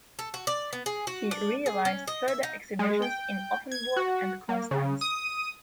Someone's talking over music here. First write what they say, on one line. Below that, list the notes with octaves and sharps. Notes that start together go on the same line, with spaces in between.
He realised further exhibitions in Offenburg and Konstanz.
A4
F#4
D5
B3
G#4
F#4
D4
G#4
C#4
D#5
E5
D#4
G#3
G5
G#6
F#4
A#3
C#3
D#6